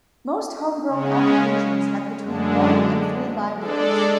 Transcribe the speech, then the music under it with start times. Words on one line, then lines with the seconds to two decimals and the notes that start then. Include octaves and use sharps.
Most homegrown applications have between one and three libraries.
0.88 C#3 G#3 C#4
2.22 F#2 D3 G#3 D4
3.54 G#3 D4 A4 D5